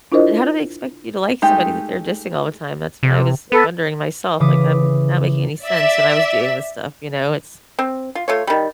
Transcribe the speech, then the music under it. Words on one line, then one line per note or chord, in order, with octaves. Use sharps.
And how do they expect you to like somebody that they're dissing all the time? That's what I was wondering myself, like, I'm not making any sense when I was doing this stuff, you know, it's
D4 E4 F4 A#4 C5 D#5
G#3 A3 D#4 G4
C3
B3 A4 B4
C#3 E3 D6 D#6 B6
D5 E5
C4
F4
A3 F4 C#5
D#3 G3